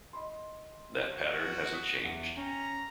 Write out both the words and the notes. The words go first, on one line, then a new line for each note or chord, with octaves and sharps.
That pattern hasn't changed.
D#5 B5 C6
F#4
D#6 B6
E2 F#5 C#7
C#4 G5 A#5